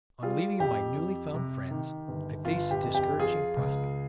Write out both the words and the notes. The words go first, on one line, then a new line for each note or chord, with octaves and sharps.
ON leaving my newly found friends I faced a discouraging prospect.
G3 F4 G#4
F2 G4
F2
C3
D#3
G1
G1 F4
G4
F2
G4
F3 F4 G#4
C#2